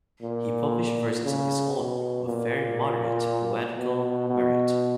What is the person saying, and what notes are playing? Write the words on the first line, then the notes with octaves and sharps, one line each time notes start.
He published verses of his own of very moderate poetical merit.
A#2
C#3
B2
A#2
B2
B2